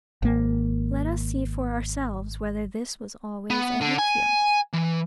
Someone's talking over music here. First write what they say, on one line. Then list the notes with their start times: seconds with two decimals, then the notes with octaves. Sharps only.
Let us see for ourselves whether this was always a hay-field.
0.22 G#1 A#3
3.50 B3
3.81 D3
3.98 G#5
4.74 E3